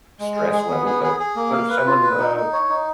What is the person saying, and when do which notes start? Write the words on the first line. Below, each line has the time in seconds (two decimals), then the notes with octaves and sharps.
stress level, but but if someone, uh,
0.20 G#3
0.36 G#4
0.53 G#4
0.70 B3
0.86 G#4
1.03 G#4
1.20 G#4
1.37 A#3
1.53 F5
1.70 B4
1.87 F4
2.03 B4
2.20 D#4
2.36 D#4
2.53 C#5
2.70 D#4